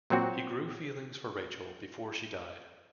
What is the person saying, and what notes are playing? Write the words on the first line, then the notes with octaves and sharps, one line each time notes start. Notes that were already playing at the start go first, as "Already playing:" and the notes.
He grew feelings for Rachel, before she died.
A#2 F#3 C4 F#4